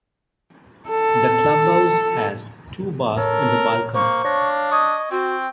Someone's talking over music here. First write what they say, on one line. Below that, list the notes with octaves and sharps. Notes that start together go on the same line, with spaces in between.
The club house has two bars and a balcony.
A4
A4 A#4 C#5
A#3 C5 C6 C#6
D4 C#5 F5 A#6
D#5 C#6 D#6 G#6
C4 F#4 G5